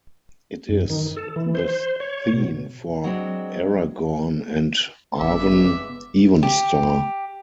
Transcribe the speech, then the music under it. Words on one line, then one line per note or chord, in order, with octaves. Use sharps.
It is the theme for Aragorn and Arwen Evenstar.
F#2
D#3
A4
E3
C5
C#5
B2
F#3 G#3 C4 D4
G1 C#3 G#3 B3 E5 D6
G4